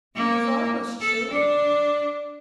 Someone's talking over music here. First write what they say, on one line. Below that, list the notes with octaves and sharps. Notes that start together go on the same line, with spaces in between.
He was almost choking.
A#3
A4
D4